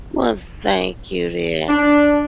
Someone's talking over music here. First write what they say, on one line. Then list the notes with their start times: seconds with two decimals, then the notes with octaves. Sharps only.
Well, thank you, dear.
1.68 D4